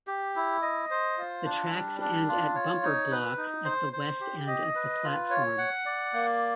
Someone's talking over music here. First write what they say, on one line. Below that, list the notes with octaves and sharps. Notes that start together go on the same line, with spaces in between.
The tracks end at bumper blocks at the west end of the platform.
G4
E4
D#5
C5
F4
D4
G3
D4
F4
C#5
D#4
B4
D#4
C5
C5
G4
D#5
B4
F4
C#5
F#5
D5
A#3